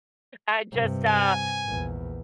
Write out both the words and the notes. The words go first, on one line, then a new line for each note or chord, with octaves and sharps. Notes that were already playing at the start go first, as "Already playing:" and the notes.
I just, uh,
G2 C3
G#5
A#1 E2